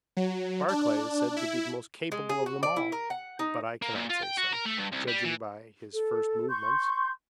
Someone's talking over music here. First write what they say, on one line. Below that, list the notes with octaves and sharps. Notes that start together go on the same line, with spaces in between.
Barclay is said to be the most capable of them all, but I cannot say so, judging by his first movements.
F#3
D4
E4
G#3
G#4
F#4
D5
E4
A#4
F#5
D#4
A#3
A#2
F4
G5
F#4
A#4
A3
G2
C2
G3
E3
A4
C6 C#6 G6